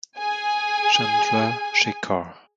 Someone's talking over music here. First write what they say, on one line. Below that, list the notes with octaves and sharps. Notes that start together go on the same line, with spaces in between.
Chandra Shekhar.
G#4 G#5